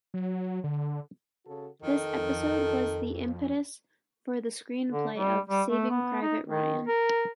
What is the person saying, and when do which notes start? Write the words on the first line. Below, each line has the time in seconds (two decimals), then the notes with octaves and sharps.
This episode was the impetus for the screenplay of "Saving Private Ryan".
0.14 F#3
0.64 D3
1.46 C#3 F#4 A4
1.82 F2 D#3 A4
4.90 D3
5.17 G3
5.49 G3
5.68 A3
5.90 B3
6.22 D#4
6.47 D#3
6.87 A#4